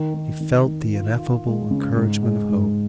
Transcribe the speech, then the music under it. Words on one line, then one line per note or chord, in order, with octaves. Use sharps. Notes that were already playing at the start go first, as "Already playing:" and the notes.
He felt the ineffable encouragement of hope.
Already playing: D#3
D#3
D#3
D#3
F4
F4
G#3
C#3
G#2
G#3
G#2